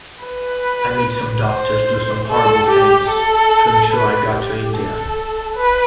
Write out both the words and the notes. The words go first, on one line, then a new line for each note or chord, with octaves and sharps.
I made some doctors do some horrible things to ensure I got to India.
B4
C5
A4
G4
A4
B4
G4
A4
B4